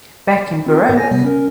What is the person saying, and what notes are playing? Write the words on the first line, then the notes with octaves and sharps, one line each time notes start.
Back in Baroque...
C4 F4 A#4
G#2 F#5 G6
C#5 G#5 A#6
C3 G3 B3
C#4 A#4